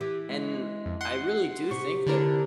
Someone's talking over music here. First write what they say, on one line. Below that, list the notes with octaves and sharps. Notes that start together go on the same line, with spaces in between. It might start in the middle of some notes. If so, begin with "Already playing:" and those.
And I really do think that
E3 G4
G#3
F2
F#5 C6
C3 C#6
D3 D4 E4 A#4